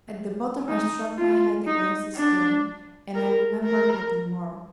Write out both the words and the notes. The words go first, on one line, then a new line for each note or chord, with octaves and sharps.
At the bottom I struck my head against a stone, and I remembered nothing more.
D#4
F4
D#4
D4
A#4
A#4